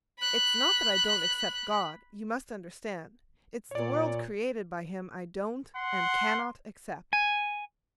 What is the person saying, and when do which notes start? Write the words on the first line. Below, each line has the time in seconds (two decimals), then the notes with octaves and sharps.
It's not that I don't accept God, you must understand, it's the world created by Him I don't and cannot accept.
0.20 B5 F#6
3.71 A#2 C#5 D5
5.76 F#5 C6
7.13 G#5